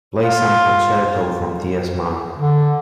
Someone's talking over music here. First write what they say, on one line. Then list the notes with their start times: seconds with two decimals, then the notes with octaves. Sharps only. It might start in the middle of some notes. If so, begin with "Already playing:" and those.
Play some concerto from T. S. Monk.
0.23 F4
2.39 D3